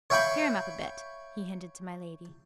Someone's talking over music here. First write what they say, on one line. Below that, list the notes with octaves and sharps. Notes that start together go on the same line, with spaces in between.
"Cheer 'em up a bit!" he hinted to my Lady.
C#5 E5 F5 G5 B5 C#6